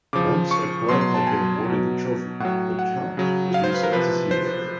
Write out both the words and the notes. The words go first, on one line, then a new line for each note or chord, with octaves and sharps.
Once a club had been awarded the trophy, the count was reset to zero.
C#3 F3 D6
C#6
B2 F#3 C6
C6
A5
G#5
B2 F#3
A2 F#3 F#5
F#5
C#3 F#3
F5
C5
B4
A#4
C3 F3 B4
C5